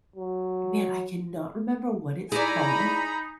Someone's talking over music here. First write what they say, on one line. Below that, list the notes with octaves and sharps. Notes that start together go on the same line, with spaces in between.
man, I cannot remember what it's called,
F#3
D#4 E4 G#4 D5 G#5 A#5 B5